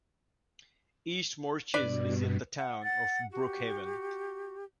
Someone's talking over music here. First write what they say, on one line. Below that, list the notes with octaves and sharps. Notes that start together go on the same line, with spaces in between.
East Moriches is in the town of Brookhaven.
G2 B2 D4 B4 D5
F#5
F#5 A6
F#4 G4